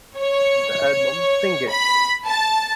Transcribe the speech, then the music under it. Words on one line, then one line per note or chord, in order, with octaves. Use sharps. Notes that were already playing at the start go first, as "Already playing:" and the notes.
The album Sing It!
C#5
B5
A5